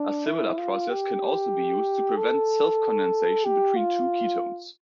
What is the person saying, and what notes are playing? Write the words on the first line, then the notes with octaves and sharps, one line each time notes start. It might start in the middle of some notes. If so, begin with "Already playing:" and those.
A similar process can also be used to prevent self-condensation between two ketones.
Already playing: D4
E4
F4
G4
A4
G4
F4